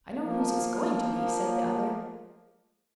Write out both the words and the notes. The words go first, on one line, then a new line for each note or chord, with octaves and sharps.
"I know whose it's going to be," said the other.
F3 A#3